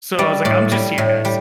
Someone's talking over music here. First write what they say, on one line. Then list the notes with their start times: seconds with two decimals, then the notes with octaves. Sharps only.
So I was like, "I'm just here, guys,"
0.19 G3 D5
0.45 A2 D5
0.72 G3
0.98 A2
1.25 G3